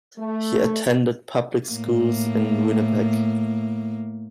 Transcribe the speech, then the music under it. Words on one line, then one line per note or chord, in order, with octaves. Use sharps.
He attended public schools in Winnipeg.
A3
A2 A#3